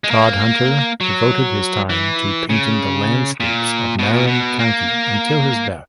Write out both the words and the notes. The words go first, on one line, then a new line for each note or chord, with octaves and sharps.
Todhunter devoted his time to painting the landscapes of Marin County until his death.
G#3
A#3
F#3
E3
C#3
A#2
B2
A#2
B2
A#3